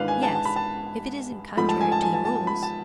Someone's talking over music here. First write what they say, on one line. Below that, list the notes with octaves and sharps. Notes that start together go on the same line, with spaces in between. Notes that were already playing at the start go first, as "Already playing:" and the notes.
"Yes, if it isn't contrary to the rules."
Already playing: G#1 G#2 E3 G#3 D4 B4 F5
G#5
A5
A5
B5
A5
G#2 F3 A3 B5
A5
G#5
A5
G#5
A5
A5
A5
B5
A5